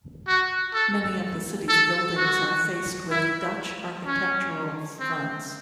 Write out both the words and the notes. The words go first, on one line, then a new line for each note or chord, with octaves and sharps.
Many of the city's buildings are faced with Dutch architectural fronts.
F#4
A4
A4
F#4
E4
C#4
C4